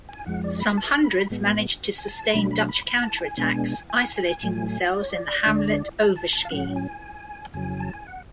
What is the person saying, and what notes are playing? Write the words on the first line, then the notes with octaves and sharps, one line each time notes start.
Some hundreds managed to sustain Dutch counter-attacks isolating themselves in the hamlet Overschie.
G#5
F2 F3 G#3 F#5
D5
B5
A5
B5
A2 G#3 B3
G#5
A5
B2 F#3 A3 D4 B5
B5
B5
B5
A5
G#5
B2 G#3 B3 D4
G#5
G#5
A2 F#3 A3
D5
C#5
D5
D2 D3 G#3 D4
A5
A5
A5
F5
A2 F#3 C#4 F#5
G#5
F2 C#3 F#3 G#5
A5
G#5
F#5